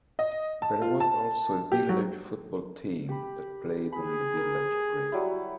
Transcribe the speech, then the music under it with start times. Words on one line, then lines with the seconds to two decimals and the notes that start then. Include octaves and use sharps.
There was also a village football team that played on the village green.
0.19 D#5
0.62 A5
0.82 F4
1.00 A5
1.72 G4
1.89 F#3
3.09 G4 B5
3.92 G#4 B5
4.36 A#4
5.12 F#3 G3 E4